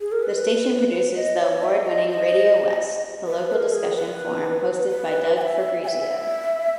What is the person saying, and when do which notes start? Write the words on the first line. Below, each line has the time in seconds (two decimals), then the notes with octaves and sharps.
The station produces the award-winning "RadioWest", a local discussion forum hosted by Doug Fabrizio.
0.01 G#4
0.12 A#4
0.23 B4
1.16 D#5
1.39 C#5
1.63 E5
1.86 D#5
2.09 D#5
3.27 B4
3.50 B4
3.54 A#4
3.73 G#4
3.96 B4
4.91 B4
5.37 G#5
5.41 E5
5.84 G#5
5.87 E5